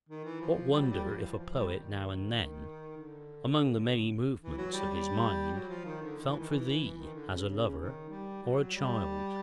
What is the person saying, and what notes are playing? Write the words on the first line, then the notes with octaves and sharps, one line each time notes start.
What wonder if a Poet now and then, Among the many movements of his mind, Felt for thee as a lover or a child!
D#3
E3
F3
G3
F#3
G3
F3
F3
E3
F3
G3
D#3
D3
E3
F#3
G3
G3
F#3
F3
D#3
D3
D#3
E3
D#3
E3
E3
D#3
D3
C#3
C#3
D#3
G3
F#3
G3